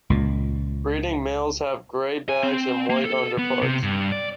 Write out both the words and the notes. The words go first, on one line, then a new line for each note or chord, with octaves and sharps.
Breeding males have grey backs and white underparts.
C#2 A#2
G#5
C4
A#3
A4
B3
C3
G2
D5